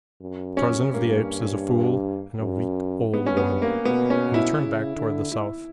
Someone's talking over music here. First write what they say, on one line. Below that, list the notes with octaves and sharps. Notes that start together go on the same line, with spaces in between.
"Tarzan of the Apes is a fool and a weak, old woman," and he turned back toward the south.
F#2
C#4
G2 A#3
F#2
G2 B3
C#4
B3
A#3
B2 B3
C#4
E4
C#3
D3
E4